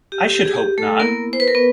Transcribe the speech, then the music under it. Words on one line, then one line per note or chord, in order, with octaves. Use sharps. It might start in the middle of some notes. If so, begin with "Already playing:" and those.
I should hope not!
G4
G4
G#4
G4
A3 A4
A#3 B3 E4 A#4
C5
B4
A#4
B3 B4